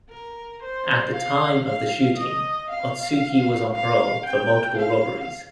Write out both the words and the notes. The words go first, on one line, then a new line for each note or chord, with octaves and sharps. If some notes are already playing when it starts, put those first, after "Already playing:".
At the time of the shooting Otsuki was on parole for multiple robberies.
A#4
C5
F5
F5
D#5
F5
F5
G5
F5